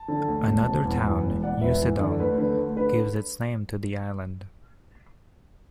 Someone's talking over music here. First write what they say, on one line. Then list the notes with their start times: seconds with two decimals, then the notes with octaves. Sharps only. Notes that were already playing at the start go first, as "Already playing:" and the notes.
Another town, Usedom, gives its name to the island.
Already playing: A5
0.08 D3
0.28 D2
0.47 E1
0.66 E1
0.85 E2
1.05 E3
1.24 E1
1.43 E1 D5 F#5
1.61 E2 B4 E5
1.82 E3
2.00 D3 D5
2.20 D2 B4
2.38 D3 B4
2.57 D2
2.76 D3 B4